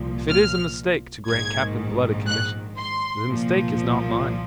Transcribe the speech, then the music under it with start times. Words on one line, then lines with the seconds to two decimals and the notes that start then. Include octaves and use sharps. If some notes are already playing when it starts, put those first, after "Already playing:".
If it is a mistake to grant Captain Blood a commission, the mistake is not mine.
Already playing: C2 A#2 F3
0.31 F6
1.29 A#1 G#2 D#3 G#6
2.28 F#6
2.77 C6
3.26 C2 A#2 F3